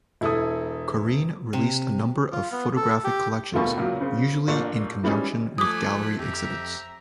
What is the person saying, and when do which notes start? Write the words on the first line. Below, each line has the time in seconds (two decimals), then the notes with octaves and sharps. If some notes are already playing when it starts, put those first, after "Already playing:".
Korine released a number of photographic collections, usually in conjunction with gallery exhibits.
0.21 E1 E4 A4 D#6
1.53 C3
2.32 F4
2.51 B3
2.76 A4
3.04 G4
3.54 D#2 B2 A3 F4
3.77 C#2 A#2 F#3
4.00 C#3 C4
4.48 A1 A#2 D4 A#4
5.03 E3 G3 G#3 C#4 D#4 G#4
5.58 F3 A3 G#5 D6 D#6 F#6 B6
6.19 F2 G4 E5 A#5